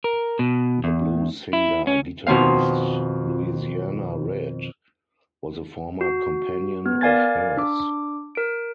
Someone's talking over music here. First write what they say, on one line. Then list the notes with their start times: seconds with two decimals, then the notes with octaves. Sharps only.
The blues singer-guitarist Louisiana Red was a former companion of hers.
0.04 A#4
0.39 B2
0.84 E2
1.53 E4
1.87 C#4
2.27 F2 B2 D#3 C4 F5
6.01 F#4
6.86 B3
7.01 A#4 D5 F5 G#5 G#6 A6
7.57 D4 D6
8.35 A#4 D7